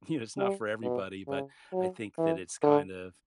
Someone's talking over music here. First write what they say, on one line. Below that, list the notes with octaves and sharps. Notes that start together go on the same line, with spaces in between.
You know, it's not for everybody, but I think that it's kind of
G3
B2
C#3
F#3
E3
D3